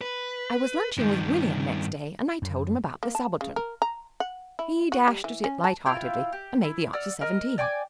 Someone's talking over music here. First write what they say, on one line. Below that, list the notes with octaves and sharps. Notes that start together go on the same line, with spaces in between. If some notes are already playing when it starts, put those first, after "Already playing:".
I was lunching with William next day, and I told him about the subaltern. He dashed at it lightheartedly and made the answer seventeen.
B4
G2 D#3
F#2
A#3
A5
C#3
A#4
A#5
F#5
E4
F#4
G3
E3
C#4
A5
E4 F4 F5 G5
G4
E4
D5 F#5 E6 F6
A#4 D#5 F6
D5 G5 G#5 D6